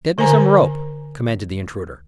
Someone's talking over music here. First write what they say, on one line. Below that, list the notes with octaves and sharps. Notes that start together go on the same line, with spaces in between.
"Get me some rope," commanded the intruder.
D3 A#4 C5 G#5 A#5